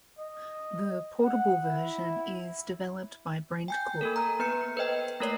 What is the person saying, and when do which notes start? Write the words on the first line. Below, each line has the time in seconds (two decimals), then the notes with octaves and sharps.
The portable version is developed by Brent Cook.
0.19 D#5
1.24 F#5
1.64 E4
3.68 G5 G#5 G6
4.01 A#3 A4 A#4
4.16 A#5
4.39 B3 B4 G6 C#7
4.76 A4 B4 C5 D#5 G5
5.20 A3 A#3 A#4 C#5 D5 C7